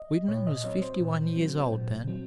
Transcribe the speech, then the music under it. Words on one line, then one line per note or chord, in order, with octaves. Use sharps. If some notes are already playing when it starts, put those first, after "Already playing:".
Whitman was fifty-one years old then.
Already playing: D#5
A#2 C#5
D#5
F#3 C4 C#5
C5
A#2
F#3 C4
A#2
F#3 C4